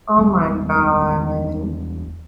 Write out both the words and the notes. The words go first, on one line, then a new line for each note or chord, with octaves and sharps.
oh my god.
E1 G3 G#3 B3